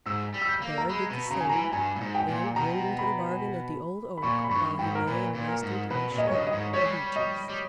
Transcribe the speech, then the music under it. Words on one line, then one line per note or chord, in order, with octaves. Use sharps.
The Bear did the same, and grinned into the bargain at the Old Oak while he lay and rested in the shadow of the Beeches.
G#2 E6
G3
E6
G6
A#3
A#5
G#3 B5
B2
C#3 A#5
G#5
E3 A#5
G2 G#5
A#2
G#2
G5
A#2
B2 A#5
B5
B5
A#2 C#6
B5
G2 C#6
G#2 G5
A#4
A#2 B4
A#2
A#4
G#2
B2 B4
A#2
D#5
G#2 C#5
G2 D#5
D#5
G#2
G3 C#5
G#3
G3
D#5
G3